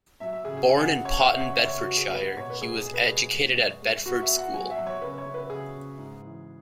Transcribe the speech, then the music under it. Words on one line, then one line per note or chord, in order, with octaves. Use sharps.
Born in Potton, Bedfordshire, he was educated at Bedford School.
F#3 E5
E5
C#3 G#4
G#4
C#3 G#5
F#5
C#3
C#5
B3 F#5
E5
C#3 C#5
E5
C#3 C#5
F#4
B3
G#4
G#3 B4
F#5
B2 C#5
B4
G#3 G#4
G#4
B2
B4
G#3 G#4
G#3
G#3
G#3
B3 F#4
E5
B3
F#5
F#3 G#5
E5
F#3
C#5
C#3 B4
C#5
C#3
B4
C#3 G#4
C#3
G#2
E3